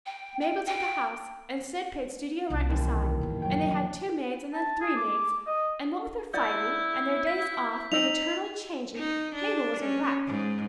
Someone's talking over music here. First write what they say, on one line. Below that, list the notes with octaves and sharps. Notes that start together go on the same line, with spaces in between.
Mabel took a house, and Sid paid studio rent beside, and they had two maids, and then three maids,--and what with their fighting, and their days off, and eternally changing, Mabel was a wreck.
G5
G5
G5
C2 C#4
E1 D#2
A#1 F#2
F#3 G5
A5
G#4
D6
D#5
E4 D5 F#5 G6
B6
D#4 D#5 E6 F7
D#4
D4
C#4
G#2